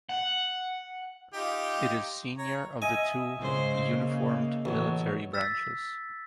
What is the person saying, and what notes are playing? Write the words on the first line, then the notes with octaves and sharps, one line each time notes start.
It is senior of the two uniformed military branches.
F#5
D#4 F4 G4
C#5 A#5
D#5 E5 G#5
G#2 C#3 C5
A#3
A1 F#3 C#5
E6 A6 B6